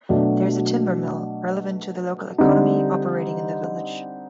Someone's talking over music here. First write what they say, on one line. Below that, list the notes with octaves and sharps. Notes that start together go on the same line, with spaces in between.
There is a timber mill, relevant to the local economy, operating in the village.
B2 F#3 A3 D4
D3 G3 C4 D#4